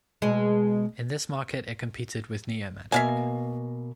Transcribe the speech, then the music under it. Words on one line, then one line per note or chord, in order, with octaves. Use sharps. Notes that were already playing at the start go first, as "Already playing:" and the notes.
In this market it competed with NeoMagic.
B2 G#3
B2 A#3 E5 F5 G#5